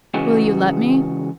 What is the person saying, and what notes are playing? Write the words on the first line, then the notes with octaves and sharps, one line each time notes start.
"Will you let me?"
C#3 E3 G#3 F#4